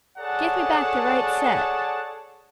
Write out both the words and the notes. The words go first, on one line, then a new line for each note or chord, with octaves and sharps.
'Give me back the right set.
G#4 A4 C#5 D5 F#5 A5